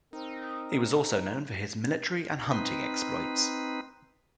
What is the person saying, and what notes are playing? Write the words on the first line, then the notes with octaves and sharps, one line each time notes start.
He was also known for his military and hunting exploits.
C4 D#4 A#4
C4 D#4 B4